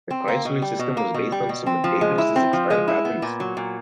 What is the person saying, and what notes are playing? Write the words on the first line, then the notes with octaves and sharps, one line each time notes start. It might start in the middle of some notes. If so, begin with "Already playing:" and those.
The Chrysler system was based on some of Davis' expired patents.
C4
A#3
B2
G3
B2
A#3
B2
G3
B2
C4
F3
G#3
E4
C4
F3
G#3
E4
B3
A#2
F#3
A#2